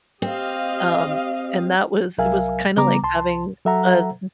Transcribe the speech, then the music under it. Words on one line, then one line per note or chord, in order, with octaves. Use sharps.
um, and that was it was kinda like having, uh, m
C4 G4 D#5 F5
C2 F#3 A#4 E5 F5 G#5
C#3 G3 B3 A#5 D6
C2 A5 C6
F#3 A4 E5 F#5 A#5